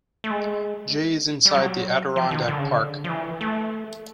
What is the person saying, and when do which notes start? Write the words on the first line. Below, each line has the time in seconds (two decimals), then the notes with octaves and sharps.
Jay is inside the Adirondack Park.
0.24 A3
0.31 G#3
1.45 G3
1.55 F#3
2.16 F3
2.31 D#3
2.48 D3
2.59 C#3
2.71 D3
3.04 F3
3.09 E3
3.41 A3